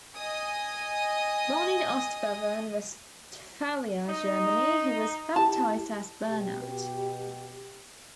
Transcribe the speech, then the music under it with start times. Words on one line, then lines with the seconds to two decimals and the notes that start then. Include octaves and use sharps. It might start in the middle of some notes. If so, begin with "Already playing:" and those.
Born in Ostbevern, Westphalia, Germany, he was baptized as Bernard.
0.16 D#5 G#5 D#6
4.07 D#4
5.36 E4 G4 A5
6.28 B2 G4